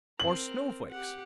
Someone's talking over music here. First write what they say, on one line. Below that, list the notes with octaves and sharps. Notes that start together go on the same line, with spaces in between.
Or snowflakes.
C4 A#4 F#7
G4 F#5